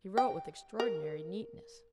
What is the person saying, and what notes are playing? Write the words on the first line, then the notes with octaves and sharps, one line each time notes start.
He wrote with extraordinary neatness.
G5
A#4